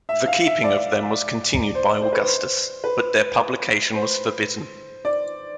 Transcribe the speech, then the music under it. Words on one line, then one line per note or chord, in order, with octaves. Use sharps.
The keeping of them was continued by Augustus, but their publication was forbidden.
E5
F5
E5
D5
C5
C5
B4
C5
B4
C5
D5